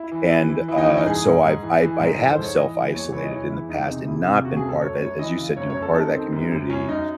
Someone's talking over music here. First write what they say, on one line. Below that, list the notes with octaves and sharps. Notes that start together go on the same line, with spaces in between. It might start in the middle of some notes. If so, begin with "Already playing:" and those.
and, uh, so, I've I I have self-isolated in the past and not been part of it as you said, you know, part of that community,
Already playing: E4
E3
E3
E3
E3 E4
D#4
E3 C#4
D#4
G#2 G#4
G#2
G#2
E3
E3
G#2
E3 A4
C5
G#2
C#5
E3 D#5
E3
E2 C#5
E3 C#5
D#5
E3 C#5
E2 E4
E2 D#4
C3
E2 E4
C3
C#3 F#4
G#4
F#2
A4
F#2 C#5
F#2 C#5
E3 D#5
C#3
F#2 C#5
C#5
F#2
A4
D#3 A4
D#3 C4
F#2
F#2
F#2 C#4
F#2 D#4